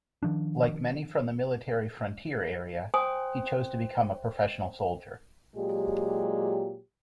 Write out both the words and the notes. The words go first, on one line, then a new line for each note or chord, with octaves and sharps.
Like many from the Military Frontier area, he chose to become a professional soldier.
D#3 F3 D4
C5 G5 G#5 D#6
A#2 F#3 G#3 G4